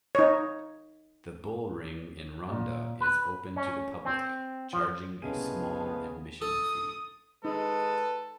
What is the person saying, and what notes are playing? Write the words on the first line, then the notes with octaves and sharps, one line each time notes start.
The bullring in Ronda is open to the public, charging a small admission fee.
D#4 C#5
A#2
B4
C#4
C4
F3
C2 C#3 G#3 A3 B3 G#4 F5 D#7
A4 D#6
G#3 D#4 A4 B4